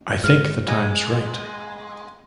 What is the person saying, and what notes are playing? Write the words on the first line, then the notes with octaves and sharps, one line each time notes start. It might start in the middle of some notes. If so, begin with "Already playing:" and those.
I think the time's right.
G#2 F6 D#7
G#3